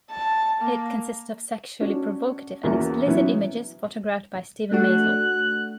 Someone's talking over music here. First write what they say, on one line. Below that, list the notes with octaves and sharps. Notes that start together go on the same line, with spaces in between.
It consisted of sexually provocative and explicit images, photographed by Steven Meisel.
A5
A#3
C#4 D4 F#4
E2 A#3 B3 C#4 F#4
E3 F#3 B3 C#4 E4
A3 D4 F#4 F#6